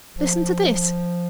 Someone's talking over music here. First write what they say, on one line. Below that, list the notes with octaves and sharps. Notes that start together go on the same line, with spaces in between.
Listen to this.
F3